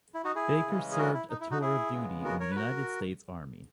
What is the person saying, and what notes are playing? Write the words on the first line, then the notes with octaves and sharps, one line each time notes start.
Baker served a tour of duty in the United States Army.
E4
D#4 F#4
E4 G#4
C#3 E3 G#3 C#4
G#4
F#4 A#4
E4
D#4
E4
D#4 F#4
E4 G#4
C#3 G#3 B3
F#4 A#4
A#4 C#5
B4
F#4 A#4